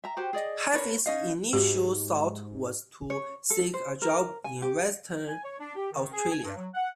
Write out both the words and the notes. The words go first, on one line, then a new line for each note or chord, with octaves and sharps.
Hafey's initial thought was to seek a job in Western Australia.
E5 A#5
F#4 G4 C5
G#4 D5 D#5
A#4 B4 C#5
C#4 D#4 D#5 F5
G#2 F#4 G4
C#5
A4
C5
A#4
G#5
G4
G#5
C#5
D4
G4
D#3
G#4
G#5
G2
F#3
F#5